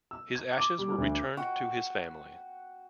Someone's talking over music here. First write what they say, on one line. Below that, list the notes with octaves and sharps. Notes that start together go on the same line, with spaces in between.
His ashes were returned to his family.
E6
G#6
D6
G3
D2
F#4 G5